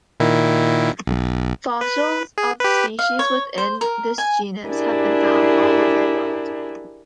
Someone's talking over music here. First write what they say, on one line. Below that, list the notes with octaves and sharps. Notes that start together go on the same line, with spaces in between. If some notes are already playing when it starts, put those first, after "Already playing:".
Fossils of species within this genus have been found all over the world.
A#2 D#3 E4
B1
B4
G#4
G4 B4
F5
C#5
C5
A#4
G#5
D4 E4 G4 G#4 A#4